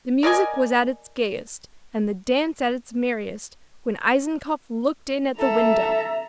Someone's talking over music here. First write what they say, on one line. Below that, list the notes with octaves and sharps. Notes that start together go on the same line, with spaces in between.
The music was at its gayest, and the dance at its merriest, when Eisenkopf looked in at the window.
A#4 D5 D#5 G#5
A4 E5 A#5